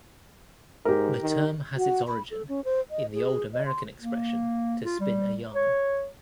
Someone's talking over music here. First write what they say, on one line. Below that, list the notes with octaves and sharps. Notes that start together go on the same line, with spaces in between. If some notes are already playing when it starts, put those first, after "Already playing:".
The term has its origin in the old American expression "to spin a yarn".
G#2 G4 A#4
D#3
F#4
B5
A4
C#4
C5
D#5
G#4
D#5
C6
A#3
F4
G3
C#5